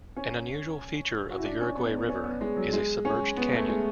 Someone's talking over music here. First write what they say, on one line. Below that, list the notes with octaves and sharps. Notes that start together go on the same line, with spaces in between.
An unusual feature of the Uruguay River is a submerged canyon.
C#4
F#4
E4
D4
C#4
B3
B3
C#4
B3
G#3
F#3
G#3
C#4
B3
A3
G#3